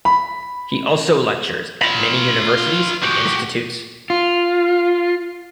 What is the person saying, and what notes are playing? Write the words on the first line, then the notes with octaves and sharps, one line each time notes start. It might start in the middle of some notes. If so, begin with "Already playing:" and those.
He also lectures at many universities and institutes.
B5
F4 B5
F#4 G4
F4